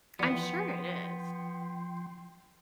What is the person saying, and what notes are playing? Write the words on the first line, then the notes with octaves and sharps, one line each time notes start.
I'm sure it is.
E3 F3 G3 B3 G5 C6